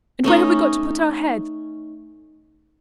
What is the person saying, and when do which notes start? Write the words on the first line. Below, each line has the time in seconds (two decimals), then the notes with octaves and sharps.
And where have we got to put our heads?
0.24 A3 C#4 D#4